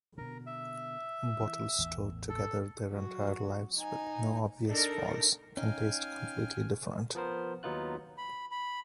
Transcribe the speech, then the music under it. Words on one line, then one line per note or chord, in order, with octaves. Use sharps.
Bottles stored together their entire lives, with no obvious faults, can taste completely different.
B2 D3 A#4
E5
E3
A1 E2 A2
A4
F#3 F#4
D#4 G#5
D4 D#4 A4 A#4
C#4 D#4 F5 G5 G#5
F3 B3 A#4 C5
D#2 F#3 B3 D#4 F4 F#6
B5
B5